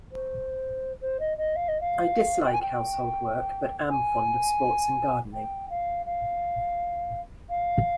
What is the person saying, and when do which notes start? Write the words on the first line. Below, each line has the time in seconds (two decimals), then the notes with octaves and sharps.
I dislike household work, but am fond of sports and gardening.
0.12 C5
1.01 C5
1.20 D#5
1.37 D#5
1.56 F5
1.68 D#5
1.81 F5
2.45 G5
2.54 G#5
2.62 G5
3.90 G#5
5.34 G5
5.70 F5
6.06 F5
7.50 F5